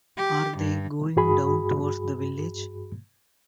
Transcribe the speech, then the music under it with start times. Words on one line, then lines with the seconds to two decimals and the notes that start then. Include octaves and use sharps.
Are they going down towards the village?
0.17 G4
0.57 G2
1.16 G2 F#4 G#4 B5